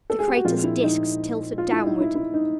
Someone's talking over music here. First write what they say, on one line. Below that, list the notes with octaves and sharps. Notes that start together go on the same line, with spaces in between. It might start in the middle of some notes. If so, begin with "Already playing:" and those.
The crater's disks tilted downward.
A4
G#4
G4
F#4
A#2 F3 G#3 C4 F4
E4
D#4
F4
E4
D#4
E4
E4
D#4